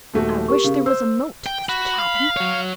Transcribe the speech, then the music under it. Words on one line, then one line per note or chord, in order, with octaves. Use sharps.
I wish there was a moat to this cabin.
D#1 A3 F#4
G4 A#4 C#6
C#3
C5 E6
G5
F#4 B5
F5
F#3 C#5